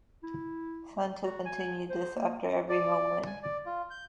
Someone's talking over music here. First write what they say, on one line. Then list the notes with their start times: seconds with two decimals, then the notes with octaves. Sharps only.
Santo continued this after every home win.
0.23 E4
1.24 F#4
1.46 G#5
1.90 C5
2.17 A#3
2.69 D5
3.26 G#5
3.43 D5
3.66 F4
3.90 G6